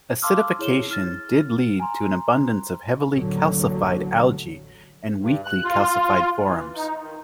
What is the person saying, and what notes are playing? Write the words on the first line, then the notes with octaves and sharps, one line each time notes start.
Acidification did lead to an abundance of heavily calcified algae and weakly calcified forams.
F5 A5 C6 D6 E6 F6
E4 G#4 C#5 E7 G7
F6 A6
G#5 A#5 C6
A1 D#2 A2 D3 F#3
G2
F#6
F4
E3
D#4
D#3